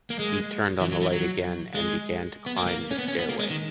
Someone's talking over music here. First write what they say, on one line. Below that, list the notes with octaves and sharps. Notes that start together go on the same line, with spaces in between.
He turned on the light again and began to climb the stairway.
A#3
G#3
E3
F#3
E3
F#3
G#3
B3
A#3
A#3
C#4
B3
C#4
B3
A#3
G#3
D#3